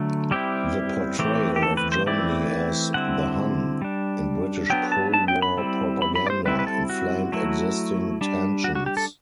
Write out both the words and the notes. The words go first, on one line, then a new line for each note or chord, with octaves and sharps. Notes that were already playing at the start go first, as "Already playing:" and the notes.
The portrayal of Germany as "The Hun" in British pro-war propaganda inflamed existing tensions.
Already playing: D3 F#3 A3
G3 C4 E4 G4
E3 A3 C4 G4
G4
A4
B4
C5
E3 A3 C4 E4 D5
D3 G3 C4 E4 F#5
G3 D4
F#3 B3 D4 G5
A5
A5
G5
B5
G3 C4 E4
B5
B5
D5
C5
G3 C4 E4 B4
B4
A4
F#4
F#3 A3 E4
G3 D4
F#4
F#4
G4
A4